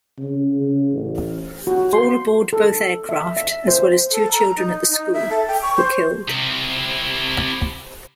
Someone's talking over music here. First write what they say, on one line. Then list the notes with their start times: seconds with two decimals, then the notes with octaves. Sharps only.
All aboard both aircraft, as well as two children at the school, were killed.
0.18 C#3
0.57 C#3
0.93 A1
1.67 F#4
1.93 C6
2.53 A4
3.09 E5
3.37 E5
3.68 C5
4.12 A4
4.31 A#5
4.57 D#4
4.89 D#4
5.13 E5
5.30 A4
5.47 G5
5.62 C#6
5.77 C5
6.29 C3 E4